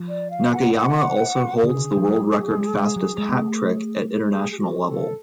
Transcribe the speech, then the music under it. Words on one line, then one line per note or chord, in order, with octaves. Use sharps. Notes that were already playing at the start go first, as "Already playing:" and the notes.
Nakayama also holds the world record fastest hat-trick at international level.
Already playing: F3
D5
F5
F#5
F#5
D3 G#4
F3
F#3
G#3
G#3
F#3
G#3
B3
A3
G#4
G#4
F#4
A4